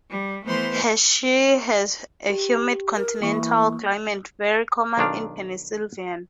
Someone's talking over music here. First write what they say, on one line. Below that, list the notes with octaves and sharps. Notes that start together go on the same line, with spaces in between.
Hershey has a humid continental climate, very common in Pennsylvania.
G3
E3 A3 B3 C5 C6 F6
G4
A#4
E3 A#3 C#6
B1 D#3 D4 F5